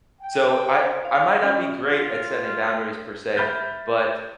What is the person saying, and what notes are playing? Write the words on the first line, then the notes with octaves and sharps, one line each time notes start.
so, I I might not be great at setting boundaries per se, but,
G5
C5
E4 E5 F5
C#4
F4
E5 B5 F6 G6 A6